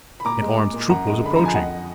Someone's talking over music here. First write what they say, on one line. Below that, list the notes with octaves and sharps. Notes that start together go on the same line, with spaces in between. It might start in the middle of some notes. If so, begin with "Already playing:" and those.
An armed troop was approaching.
B5
A#2 A#5 D6
G#3
G#3
A#2
F#2 F#5 A#5
G#3
D3 B5
F3 A#5
G#5
F2 D#5 F#5